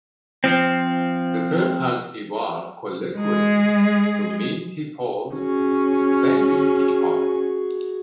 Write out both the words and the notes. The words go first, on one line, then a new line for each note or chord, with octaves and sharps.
The term has evolved colloquially to mean people defending each other.
F3 C4
G#3 G#4
C#4 F#4 G#4